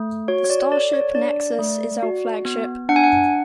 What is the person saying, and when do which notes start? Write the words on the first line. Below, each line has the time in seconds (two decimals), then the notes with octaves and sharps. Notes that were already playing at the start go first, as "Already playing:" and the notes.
The starship nexus is our flagship.
Already playing: A3
0.28 F#4 C#5
0.44 C#5
0.50 D5
0.72 A4 D5
0.93 C#5
1.15 D4 D5
1.59 A3
2.03 F#4
2.45 B3
2.89 D4 F#5
2.96 G#5
3.04 F#5